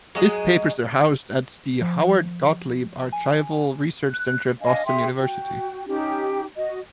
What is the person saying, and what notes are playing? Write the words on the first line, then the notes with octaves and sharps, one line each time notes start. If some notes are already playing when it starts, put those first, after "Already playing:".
His papers are housed at the Howard Gotlieb Archival Research Center at Boston University.
F#3 G#3 D#5
F3
G#5
F#6
D4 D#5 F5 G#5
G#4 E5 G5 C6
F#4 G5
C#4 D#4 G4 G5
F#4 D#5